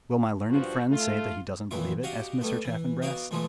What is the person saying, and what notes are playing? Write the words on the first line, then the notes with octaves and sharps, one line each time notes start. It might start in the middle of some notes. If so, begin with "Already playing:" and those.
"Will my learned friend say that he doesn't believe it?" asked Mr. Chaffanbrass.
G2 F3 F#4
A3 F4
A1 A#2 D#3 E3 E4 D6
F#4 G4 D5 D#5 F5 F#5
G3 A3 B3
E3
B3 D#4 F#4 D5 F5
G#2 B2 E3 F3 G#3 A3